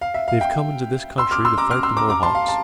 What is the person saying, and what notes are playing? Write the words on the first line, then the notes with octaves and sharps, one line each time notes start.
They have come into this country to fight the Mohawks.
F5
E5
F5
E5 G5
C6 E6
D6 F6
C6 E6
A#5 D6
D6 F6
C6 E6
A#5 D6
A#5 D6
A5 C6
F5
A5